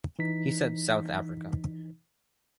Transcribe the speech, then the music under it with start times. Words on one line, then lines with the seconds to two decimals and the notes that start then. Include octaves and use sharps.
He said, South Africa.
0.19 E3 D#4 B6